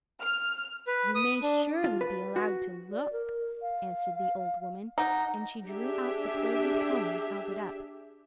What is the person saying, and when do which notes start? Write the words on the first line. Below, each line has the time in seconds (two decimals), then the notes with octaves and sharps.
"You may surely be allowed to look!" answered the old woman, and she drew out the poisoned comb and held it up.
0.21 F6
0.87 B4
1.15 D#6
1.43 D4
1.84 F4
2.01 B4
2.36 F#4
2.92 D5
3.13 A#4
3.62 F5
4.98 D#4 F#5
5.68 D4 G4 G#4 E5